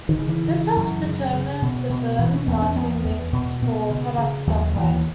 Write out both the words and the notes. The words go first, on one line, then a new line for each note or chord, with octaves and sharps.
This helps determines the firms marketing mix for product software.
D#3
C#3
E3
C#3
F#2
C#3
C#3
B2
B2
B2 E3
C#4
E2 B3
C#4
E2 B3
E2
B2
B2
C#3
C#3
D#2 F#3
D#2 E3